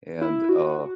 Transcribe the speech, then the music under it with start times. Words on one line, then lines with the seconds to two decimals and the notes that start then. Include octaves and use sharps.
and, uh,
0.21 E4
0.49 F#4